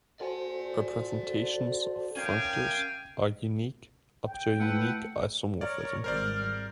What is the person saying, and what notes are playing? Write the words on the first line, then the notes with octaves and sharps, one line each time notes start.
Representations of functors are unique up to a unique isomorphism.
F#4 A4 C5 D5 G#5
C#4 A#4 F5 G5 G#5
G5
A3 E4 B4 F#5
A#4 C#5 D5 A#5
G#1 G3 A#4 C5 D5 F6